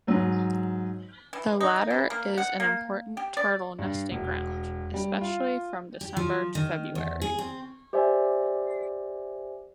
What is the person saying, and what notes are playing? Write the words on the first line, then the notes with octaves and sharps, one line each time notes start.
The latter is an important turtle nesting ground, especially from December to February.
G#2 F#3
E3
D#4
E3
A#3
F#5
A#3
G4
D5
G2
E1
G3
F4
G4
F3
D#3
E2
G#4
C4
G4 C5 D5 E5 G#5